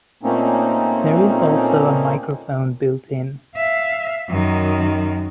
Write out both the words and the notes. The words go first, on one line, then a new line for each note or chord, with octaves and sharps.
There is also a microphone built in.
A#2 A3 A#3 C4 C#4 D#4
E5 F5
F#2 D#3